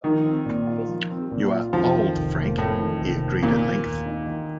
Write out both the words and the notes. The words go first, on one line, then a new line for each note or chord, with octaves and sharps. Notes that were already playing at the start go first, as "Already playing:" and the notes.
"You are old, Frank," he agreed at length.
D#3 F3
C4
A#2
F4
F3
C4
A#2
F4
F2 F3
D#3
F1
A#3
F2 A2
D#3
F1
A#3
A#2 D#3
A#3
D#2
D#4
D#3